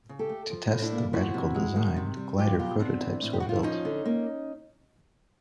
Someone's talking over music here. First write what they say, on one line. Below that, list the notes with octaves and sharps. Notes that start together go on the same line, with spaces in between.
To test the radical design, glider prototypes were built.
C#3
G4 A4
A3
F3
A2
D4 E4
A#3
F3 E4 F#4
C3
G#3
D#3
C3
G3
F#3 F4 G4
B2 F4 G4
B3 C4 D4
E3
A2
G4
G3 F#4
F4
E4
F3 C#4 D#4
D3
A#3